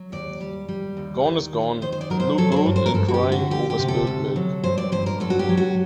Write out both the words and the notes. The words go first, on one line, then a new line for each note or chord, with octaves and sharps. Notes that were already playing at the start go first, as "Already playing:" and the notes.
Gone is gone. No good in crying over spilt milk.
Already playing: F#3
D#2 D5
G3
G3
D#2
D#3
D#2
D#3 C5
C5
D5
F#3 A#4
C5
F#3 A4
C5
A#4
G2
C5
A#4
G2 A4
F#4
G4
D3
F#4
D2 G4
G4
C3
A4
D2
F#3
G2 C5
D5
G2 C5
A#4
F#3 A4
F#4
G4
F#3
F#4